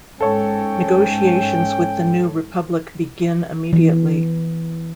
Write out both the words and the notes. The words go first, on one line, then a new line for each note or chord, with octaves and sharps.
Negotiations with the New Republic begin immediately.
G#2 C#4 A4 C#5 G5
E3